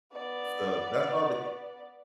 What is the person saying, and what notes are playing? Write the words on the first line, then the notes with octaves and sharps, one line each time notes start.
so that's all the
B3 D5